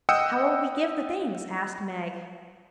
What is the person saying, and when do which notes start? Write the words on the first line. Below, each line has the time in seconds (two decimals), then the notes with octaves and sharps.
"How will we give the things?" asked Meg.
0.09 D#5 F#5 G5 D#6 E6 C#7